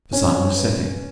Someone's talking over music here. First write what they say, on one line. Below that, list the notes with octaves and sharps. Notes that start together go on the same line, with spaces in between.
The sun was setting.
C#4
B4